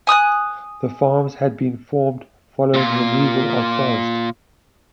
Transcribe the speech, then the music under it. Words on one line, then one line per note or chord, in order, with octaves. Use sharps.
The farms had been formed following removal of forest.
G#5 D#6 E6 F#6
A#2 F4